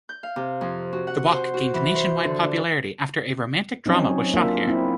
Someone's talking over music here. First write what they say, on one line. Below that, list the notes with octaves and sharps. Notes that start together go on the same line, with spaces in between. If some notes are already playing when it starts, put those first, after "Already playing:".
The walk gained nationwide popularity after a romantic drama was shot here.
G6
F5
C3
F2
F#4
F#5
C5
F#4
E3
C5
D3
D4
F#3 C4 C#4 D#4
A#3 D4 F4 E5
C4 E4